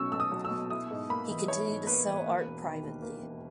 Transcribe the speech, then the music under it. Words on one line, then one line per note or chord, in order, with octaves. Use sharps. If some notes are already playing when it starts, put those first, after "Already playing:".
He continued to sell art privately.
Already playing: B1 B2 F#3 C#4 C#6 E6
B1 E6
D#6
F#3
E6
B2
E4 D#6
G#2
A#3 B5
E3
E4 C#5
G#2
A#3 B4
E3
A#3
E1
D#3
D#2
A#3
E1